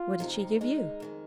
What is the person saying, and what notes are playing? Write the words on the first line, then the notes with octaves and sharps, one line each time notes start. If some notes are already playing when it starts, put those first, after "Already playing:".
'What did she give you?'
Already playing: F4
C3 F3 G#3 D#4 G4
D#3 G#3 D#4 G#4
F2 D#3 G#3